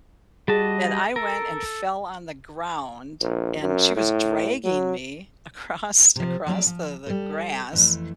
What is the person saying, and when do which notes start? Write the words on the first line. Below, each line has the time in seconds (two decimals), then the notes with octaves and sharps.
and I went and fell on the ground, and she was dragging me across across the the grass,
0.48 G3 F#4 G#4 D#5 A5
1.16 A4 A#4
3.21 A#1
3.61 F#2
3.96 A2
4.64 F#3
6.16 C3 F3
6.46 F3 F#3 C#4 D5
6.67 F3
7.07 G3 A4
7.73 F2 E3 A3